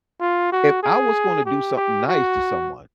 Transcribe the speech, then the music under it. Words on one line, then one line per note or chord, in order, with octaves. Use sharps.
if I was gonna do something nice to someone
F4
F#4
G#4
G4
G4
F#4